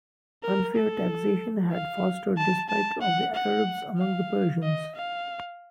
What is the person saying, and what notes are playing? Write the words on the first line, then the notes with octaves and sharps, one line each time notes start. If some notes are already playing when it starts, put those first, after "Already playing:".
Unfair taxation had fostered dislike of the Arabs among the Persians.
A#4
A4
F5
A5
A5
F#5
F#5
F5
D#5
F5